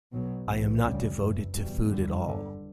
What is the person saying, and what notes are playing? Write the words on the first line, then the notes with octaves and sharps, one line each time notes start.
I am not devoted to food at all.
B1 B2 F#3
B1 A2 E3
D2 C#3 G3
F#1 F#2 E3
E2 B2 G3
F#1 E2 D3 G3
G1 G2 D3